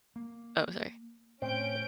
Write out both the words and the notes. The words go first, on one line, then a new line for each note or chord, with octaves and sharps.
oh, sorry.
A#3
A2 C4 C#4 G6 D7